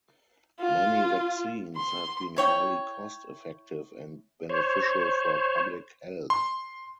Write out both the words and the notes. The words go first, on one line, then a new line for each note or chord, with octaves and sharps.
Many vaccines have been highly cost effective and beneficial for public health.
F4
C6
E4 C#5 G5
C5 C#5
C6